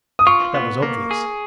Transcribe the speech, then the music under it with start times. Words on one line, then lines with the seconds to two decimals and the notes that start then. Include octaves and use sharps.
That was obvious.
0.19 D#6
0.27 F4 C#6
0.54 B3
0.83 A#3
1.11 G#4